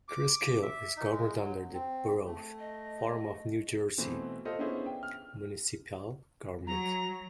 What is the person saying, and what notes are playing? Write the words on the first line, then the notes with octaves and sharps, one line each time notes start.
Cresskill is governed under the Borough form of New Jersey municipal government.
D6
E5
D#4
G#3
F#3
C4
A3
D#5
B2 E3 A3 C4
F4 A4 C5 D#5 F5
B3 C#4 D4 E4 G#4 C5
G5
F6
F#3 A#5